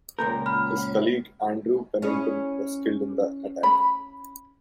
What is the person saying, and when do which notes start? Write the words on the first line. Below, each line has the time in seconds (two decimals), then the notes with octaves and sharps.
His colleague, Andrew Pennington, was killed in the attack.
0.19 C#2 A#2 A#4 G6
0.46 B5 F6
2.02 C#4 E4 G#4
3.63 B5